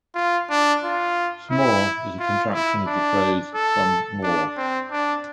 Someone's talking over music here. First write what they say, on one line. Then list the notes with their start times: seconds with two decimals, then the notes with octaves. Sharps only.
"S'more" is a contraction of the phrase "some more".
0.15 F4
0.50 D4
0.84 F4
1.51 E4
2.19 F4
2.54 E4
2.87 D4
3.55 A4
4.23 D4
4.57 C4
4.91 D4